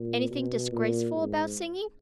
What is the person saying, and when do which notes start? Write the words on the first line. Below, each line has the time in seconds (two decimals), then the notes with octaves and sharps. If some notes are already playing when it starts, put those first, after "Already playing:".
"Anything disgraceful about singing?"
Already playing: A#2
0.30 B2
0.72 A#2
1.14 G#2